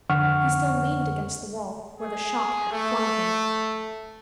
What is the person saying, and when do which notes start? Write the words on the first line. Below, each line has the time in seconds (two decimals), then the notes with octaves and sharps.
He still leaned against the wall, where the shock had flung him.
0.10 F2 D3 F#5 C#6 F6
2.00 G#4
2.72 A3